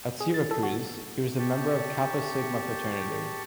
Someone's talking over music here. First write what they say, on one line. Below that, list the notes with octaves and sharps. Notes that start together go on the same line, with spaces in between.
At Syracuse, he was a member of Kappa Sigma Fraternity.
G#4
A6
A4
F#4
G4 A5 C#6